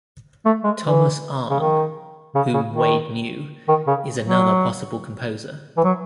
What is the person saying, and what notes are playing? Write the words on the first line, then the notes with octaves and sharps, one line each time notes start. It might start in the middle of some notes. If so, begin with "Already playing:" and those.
Thomas Arne, whom Wade knew, is another possible composer.
A3
G#3
E3
C#3
D#3
C#3
C#3
D#3
D#3
C#3
F#3
E3
F#3